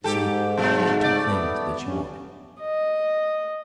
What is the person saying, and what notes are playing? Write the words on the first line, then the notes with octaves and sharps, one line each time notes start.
You see, she had two things that she wanted.
G#2 G4 A4
B2 F#3 A3
A3 D5
B3
G2 C#4
D#5